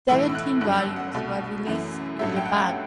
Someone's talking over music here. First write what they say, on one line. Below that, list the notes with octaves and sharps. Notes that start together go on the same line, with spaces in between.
Seventeen volumes were released in Japan.
B1 A2 E3 E6
E6
F#6
G1 F#2 F#3 F#6
E6
F#5
C2 B2 A3
F#2 E3 A3
A1 G2 F#3 A3 E5
G5
F#5